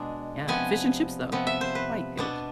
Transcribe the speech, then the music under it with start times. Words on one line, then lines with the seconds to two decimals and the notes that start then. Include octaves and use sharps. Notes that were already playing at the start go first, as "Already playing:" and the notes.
Yeah. Fish and chips, though. Quite good,
Already playing: B2 G#3 D4
0.48 C3 F3 B3 G#5
1.32 C3 F3 B3
1.47 E5
1.61 C5
1.75 B4
2.18 B2 B3 D4